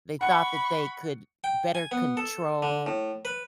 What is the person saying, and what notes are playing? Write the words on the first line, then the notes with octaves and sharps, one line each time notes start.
They thought that they could better control
F#5 B5 C#6 C#7
G5
G#5
B3
A4
D3
A2
B4